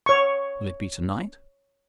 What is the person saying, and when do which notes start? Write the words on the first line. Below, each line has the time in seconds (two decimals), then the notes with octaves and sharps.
"Will it be to-night?"
0.06 C#5 C#6